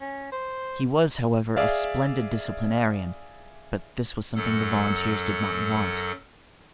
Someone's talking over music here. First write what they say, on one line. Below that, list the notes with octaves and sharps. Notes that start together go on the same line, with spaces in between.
He was, however, a splendid disciplinarian, but this was something the volunteers did not want.
C#4
C5
G#4 D5 E5 F5
F#2 F#3 A4 F#5